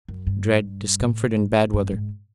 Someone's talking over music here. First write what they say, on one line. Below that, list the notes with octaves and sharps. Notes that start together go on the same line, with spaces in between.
I dread discomfort and bad weather.
F#2
G2
A2
G2
G#2